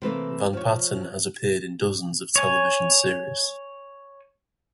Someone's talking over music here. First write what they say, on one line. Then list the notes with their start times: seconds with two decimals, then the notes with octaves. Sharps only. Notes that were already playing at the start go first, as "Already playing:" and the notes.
Van Patten has appeared in dozens of television series.
0.02 C3 E3 A3 A#3
0.53 F3 C#5
2.36 C#5 G#5